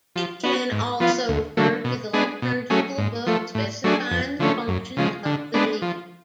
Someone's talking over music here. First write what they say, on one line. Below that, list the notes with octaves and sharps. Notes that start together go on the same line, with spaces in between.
It can also refer to the liturgical book specifying the functions of the deacon.
F3
B3 F#4
G#2
F3 B3 F4
D2
D3 F#3 A3
B2
G#3 B3 D4 G#4
B2
F#3 A3 C#4 G#4
G#2
F3 A3
A2
F#3 A3 D4 G#4
F2
D3 F3 A3 C#4
F#2
C#3 F3 G#3
D3
G#3 B3 D4
F3